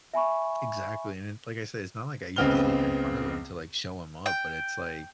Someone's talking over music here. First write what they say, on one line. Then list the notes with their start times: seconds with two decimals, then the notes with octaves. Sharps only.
Exactly. And it like I said, it's not like I did it in front of him to like show him up, but it's like,
0.14 E5 G#5 B5 C#6
2.36 C#2 C#3 B3 C4 F6 G7
4.26 G5